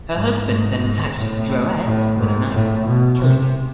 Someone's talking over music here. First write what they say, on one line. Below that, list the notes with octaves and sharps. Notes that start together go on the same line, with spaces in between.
Her husband then attacked Drouet with a knife, killing him.
G#2
G#2
G#2
A2
A2
G#2
A2
B2
C3